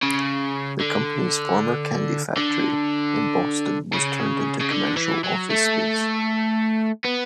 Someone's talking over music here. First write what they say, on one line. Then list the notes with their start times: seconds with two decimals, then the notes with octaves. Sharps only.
The company's former candy factory in Boston was turned into commercial office space.
0.03 C#3
0.81 D3
2.37 D3
3.93 C#3
4.60 C#3
4.71 D3
4.97 E3
5.24 F#3
5.50 A3
7.05 B3